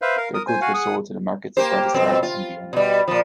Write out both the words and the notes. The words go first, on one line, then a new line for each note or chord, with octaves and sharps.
Their goods were sold to the markets of Bratislava and Vienna.
B4 C5 E5 F5
A#4 F5
A#4 D#6
C5 G#5
F#4 F5 F#5 G#5
G#4 F#5 D#6
A#3 G4 C5
F2 B2 C4
F4
B2 G3
A#2 F3